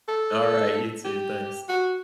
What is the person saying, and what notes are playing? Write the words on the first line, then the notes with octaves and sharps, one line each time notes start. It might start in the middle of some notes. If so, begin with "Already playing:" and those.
Alright, you too. Thanks.
A4
G4
F#4